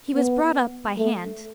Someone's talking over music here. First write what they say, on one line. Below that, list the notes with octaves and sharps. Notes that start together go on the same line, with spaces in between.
He was brought up by hand.
B3
A3